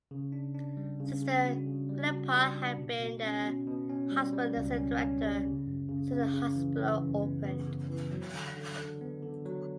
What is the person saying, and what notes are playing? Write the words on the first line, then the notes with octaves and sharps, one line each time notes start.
Sister Philippa had been the hospital’s nursing director since the hospital opened.
C#3
D4
D4
G3
C#3
C#3
F#4
C#3
G3
F#4
G3
D4
B2
B2
C#4
B2
B2
C#4
G3
G3
C#2
C#4
C#4
G3
C#3
F#2
C#3
C#3
C#3
E3
E3
F#2
B3
B3
C#3
E3
F#3
D3
D3
D3
B3
D3
F#3